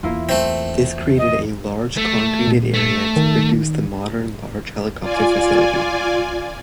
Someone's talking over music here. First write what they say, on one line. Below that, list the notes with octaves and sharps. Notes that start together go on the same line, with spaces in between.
This created a large concreted area to produce the modern, large helicopter facility.
E2 A#3 E4 F4
A3 C4
D#5
A3
A#2
A3
D#3
F4 D5 G#5